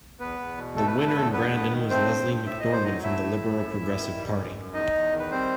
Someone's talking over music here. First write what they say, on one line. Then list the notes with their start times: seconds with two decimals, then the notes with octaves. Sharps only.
The winner in Brandon was Leslie McDorman from the Liberal-Progressive party.
0.19 E2 B3 B4
0.39 E2
0.57 B2
0.76 A3 A4
0.87 B4
0.96 E2 A4
1.07 B4
1.14 E2 A3 A4
1.33 G2 B3 B4
1.52 G2
1.71 D#3
1.90 A3 C4 C5
2.09 G2
2.28 G2
2.46 A2 E5
2.60 D#5
2.66 A2
2.72 C5
2.85 F#3 D#4 D#5
3.03 A3 E4 E5
3.23 A2
3.41 A2
3.61 F#2
3.79 F#2
3.99 D#3
4.17 G3
4.36 F#2
4.55 F#2
4.74 E2 D#4 D#5
4.93 E2
5.12 D#3
5.19 B4
5.31 G3 C4 C5